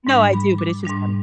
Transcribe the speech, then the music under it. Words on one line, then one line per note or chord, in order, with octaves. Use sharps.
No, I do, but it's just funny.
G#2 G3 D4
B5
D6
G#2 G3 D4